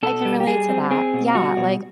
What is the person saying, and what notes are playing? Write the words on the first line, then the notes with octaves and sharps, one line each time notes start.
I can relate to that. Yeah, like,
B2 A4
G3
G4
G3 G#4
C4
C4 G#4
B2
G3 F#4
B2